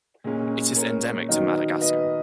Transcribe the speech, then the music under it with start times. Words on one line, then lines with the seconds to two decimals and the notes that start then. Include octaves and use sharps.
It is endemic to Madagascar.
0.24 A#2 G#3 C#4
0.76 A#4 C#5
1.29 D#3 F#3 B3 D#4
1.81 B4 D#5